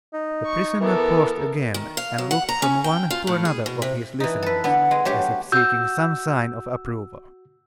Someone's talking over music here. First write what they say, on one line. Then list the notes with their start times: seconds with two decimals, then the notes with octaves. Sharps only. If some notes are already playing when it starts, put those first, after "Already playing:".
The prisoner paused again and looked from one to another of his listeners, as if seeking some sign of approval.
0.13 D#4
0.46 C#6
0.81 E3 B3 A4 A#4
1.74 D#3
1.97 F5
2.18 F#3
2.31 F#5
2.49 A#5
2.62 C#4
2.84 G5
3.10 F4
3.27 A2
3.45 G#4
3.66 B2
3.82 C3
4.20 E3 D#4
4.43 A4 B4
4.64 D3 B3
4.91 G#3
5.05 F#3 A3 G4
5.52 F#4 F#5 E6 G6